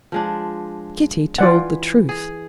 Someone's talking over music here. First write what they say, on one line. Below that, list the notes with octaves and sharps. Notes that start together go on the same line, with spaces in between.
Kitty told the truth.
F3 G#3 D4
E3 F4 D5 F#5
G#4